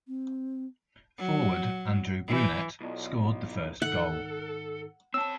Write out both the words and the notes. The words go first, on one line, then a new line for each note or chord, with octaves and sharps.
Forward Andrew Brunette scored the first goal.
C4
F#3
E3
B1 E4 F4 D5
G#2 D#3 D#4 A4 F#5
C4 C#5 A5 E6